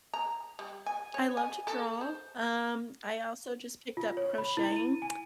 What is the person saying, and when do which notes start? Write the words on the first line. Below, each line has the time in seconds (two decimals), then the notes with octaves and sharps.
I love to draw, um, I also just picked up crocheting.
0.14 A#5
0.59 G3
0.86 G#5
1.14 C#5
1.37 G#5
1.67 A4
2.01 C5
3.97 F4
4.17 C#5
4.38 B5
4.57 E4
4.76 D#7
5.02 G#5